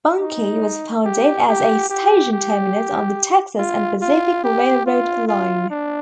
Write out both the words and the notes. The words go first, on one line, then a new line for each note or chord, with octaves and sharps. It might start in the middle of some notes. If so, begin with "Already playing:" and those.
Bunkie was founded as a station terminus on the Texas and Pacific Railroad line.
D#4
G4
G4
G4
G4
F4
F4
G4
F4
F4
D4